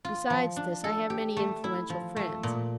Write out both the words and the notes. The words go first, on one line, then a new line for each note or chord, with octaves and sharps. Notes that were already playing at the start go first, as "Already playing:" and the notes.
Besides this, I have many influential friends.
F4
F3
D4
A4
G4
A3
E4
F3
A3
A#2